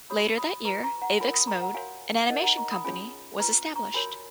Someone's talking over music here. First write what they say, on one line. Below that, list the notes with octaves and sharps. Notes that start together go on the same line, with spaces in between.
Later that year "Avex Mode", an animation company, was established.
F#4 C#5 B5 D#6
B5 D#6
F4 B4 A#5 C#6
A#5 C#6
F#5 A#5
F4 A#4 C#5 G#5 B5
B5 D#6
A#5 C#6
F#5 A#5
F#4 A#4 C#5 F5 G#5
D#4 A#4 C#5 D#5 F#5
F#5 A#5
A#5 C#6
B5 D#6
C#4 F4 G#4 C#5 G#5 B5
F4 B4 A#5 C#6
A#5 C#6
F#4 A#4 C#5 G#5 B5